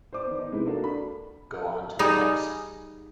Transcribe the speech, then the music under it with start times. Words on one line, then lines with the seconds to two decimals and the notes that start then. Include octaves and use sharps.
Go on to the next.
0.13 C5 D5 D6
0.26 D#3 B3
0.39 D#4
0.51 C3 G#3 E4 B4
0.67 A#3 D4 F#4 A4
0.84 B5
1.99 G3 D#4 G#4